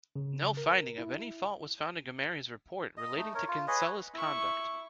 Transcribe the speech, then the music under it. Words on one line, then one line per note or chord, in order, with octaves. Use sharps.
No finding of any fault was found in Gomery's report relating to Kinsella's conduct.
C#3
A#4
E4
D#5
A3 D#4
A#4 C#5
F4
G#4 B4 C#5 D#5
E4 C#6